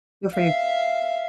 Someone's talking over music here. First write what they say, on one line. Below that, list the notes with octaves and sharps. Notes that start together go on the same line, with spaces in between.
Good for you.
E5 F5